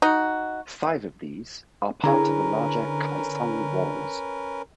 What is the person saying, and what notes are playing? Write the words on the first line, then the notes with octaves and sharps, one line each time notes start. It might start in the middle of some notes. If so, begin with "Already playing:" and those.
Five of these are part of the larger Kaesong Walls.
D#4 F#4
D3 C#4 D4 E4 G#4 A#4 B4 A#5